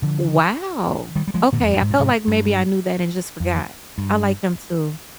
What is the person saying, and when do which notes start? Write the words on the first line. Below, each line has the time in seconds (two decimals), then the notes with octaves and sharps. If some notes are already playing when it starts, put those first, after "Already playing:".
Wow. Okay, I felt like maybe I knew that and just forgot. I like him too.
0.02 D3 F3
1.15 D#3 G3
1.28 G3
1.34 F3 G#3
1.52 A#2 D3
1.63 F2
1.73 G2
1.82 G#2
1.90 A#2
2.00 G#2 C3
2.27 G2
3.40 F2
3.98 G2